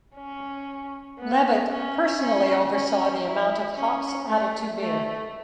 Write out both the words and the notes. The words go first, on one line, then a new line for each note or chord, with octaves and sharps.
Levett personally oversaw the amount of hops added to beer.
C#4
B3
C#4
C#4
C#4
E4
C#4
A3
A3